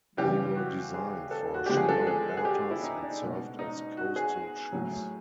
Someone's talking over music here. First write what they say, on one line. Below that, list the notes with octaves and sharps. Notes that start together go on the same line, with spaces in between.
They were designed for shallow waters and served as coastal ships.
C#3 E3 G3 G4
F#4
G#4
A4
F#4
D3 F3 G#3 G4
G#4
A4
G#4
A4
G#4
G4
E4
D#4
D4
B2 G#3
D#4
F#4
G#4
A2 F#3